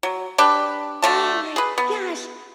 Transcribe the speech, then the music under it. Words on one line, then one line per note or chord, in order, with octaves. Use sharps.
Oh my gosh.
F#3
D4 G4 B4
D3 A3 A5
G#4 B4
B3